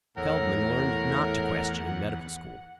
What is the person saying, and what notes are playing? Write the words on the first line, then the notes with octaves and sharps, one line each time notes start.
Feldman learned not to question in medical school.
E2 A2 A#4 F#5